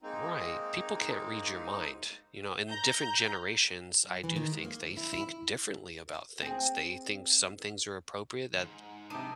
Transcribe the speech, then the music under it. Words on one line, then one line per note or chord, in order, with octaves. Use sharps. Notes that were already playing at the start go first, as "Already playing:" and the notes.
Right. People can't read your mind. You know? And different generations, I do think they think differently about things. They think some things are appropriate that
G#3 A#3 C4 D#4
A#5 G6
F#2
E3
D#3
G#3
A#3
D2
E4
E4
C4 G#4
D#2 G#2
C3 D4 D#4 D#7